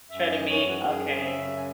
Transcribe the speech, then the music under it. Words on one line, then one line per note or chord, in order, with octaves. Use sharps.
Shredded meat? Okay.
F#2 E5
D#5
E3
C#5
F#2
F#4
F#2 G#4
C#3
E5
F#2
G#5